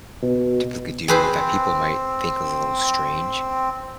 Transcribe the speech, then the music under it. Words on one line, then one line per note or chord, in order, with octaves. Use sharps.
typically do that people might think a little strange,
B2
C4 G#4 B4 C5